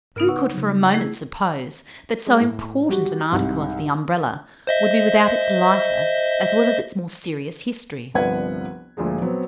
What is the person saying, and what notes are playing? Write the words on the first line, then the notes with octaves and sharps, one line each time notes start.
Who could for a moment suppose that so important an article as the Umbrella would be without its lighter as well as its more serious history?
G#2 C#3 B3 D#4 A#4 F6
B4 F#5 C#6 E6
C#3 F#3
A3 E4 G#4
G#3
A2
G3 F#4 G4
C2 G#2 C3
C5 D#5 E5
G1 C2 F3 B4 F#5 G#6
D2 A#2 F3 G#3
F#3 B3 C4